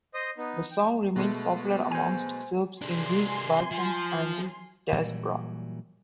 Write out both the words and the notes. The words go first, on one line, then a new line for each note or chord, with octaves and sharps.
The song remains popular amongst Serbs in the Balkans and the diaspora.
C5 D#5 D#6
B3 D#4
G5
B2 G#3 A3
C5 G#5
C3 D4 G#5 C6
F3
A#2 E3 F#3 G3